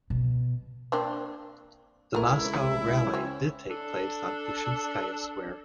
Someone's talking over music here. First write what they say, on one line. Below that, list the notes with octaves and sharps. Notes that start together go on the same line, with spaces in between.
The Moscow rally did take place on Pushkinskaya Square.
B2
A#3 C4 D4
C#2 A3 E4 A#4
C4 C#4
D4 A4